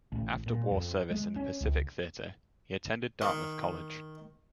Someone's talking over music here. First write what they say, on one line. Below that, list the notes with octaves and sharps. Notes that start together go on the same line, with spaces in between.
After war service in the Pacific theater, he attended Dartmouth College.
A1
A#2
F2
G#3
C#4
C#2
D#3